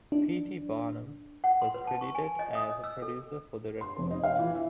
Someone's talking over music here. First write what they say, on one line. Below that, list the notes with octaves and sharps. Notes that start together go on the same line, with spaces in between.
P. T. Barnum was credited as a producer for the record.
D4
F#5
C6
B4
A5
C#6
G#5
D#5
D#6
D#5
E6
A4
C6
F1
D#5
F5
E3
E5